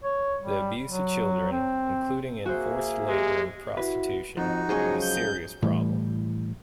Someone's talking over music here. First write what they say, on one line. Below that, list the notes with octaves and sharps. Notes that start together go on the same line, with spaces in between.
The abuse of children, including in forced labor and prostitution, is a serious problem.
C#5
G3
F#3
C4
A#3 F#4 G#4 C5 E5
G#3 G4
E4 F#4 B4
F2 F3 D#4 F#4
G#2 C#3 F3 F#3 G#4 D#5 C#6
G6
A2 E3 G3